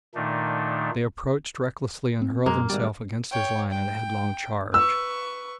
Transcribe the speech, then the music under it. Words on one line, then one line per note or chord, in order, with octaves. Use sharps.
They approached recklessly and hurled themselves against his line in a headlong charge.
A#2 D#3 A3 D4 D#4
C4
F#2 G#3 A#3
G#1 G3 D5
C#5 G5
G5
B4 C#6 E6